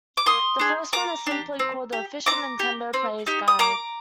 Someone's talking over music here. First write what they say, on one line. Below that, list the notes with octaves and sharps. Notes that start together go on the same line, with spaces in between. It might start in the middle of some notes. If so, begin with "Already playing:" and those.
The first one is simply called "The Official Nintendo Player's Guide".
D6
A#3 C6 D#6
D4 G#4
A#3 A#5 D6
D4 G4
C4
G4
C4 A#5 D6
G4
C4
D#4 G4
D#6
A#3 A#5 D6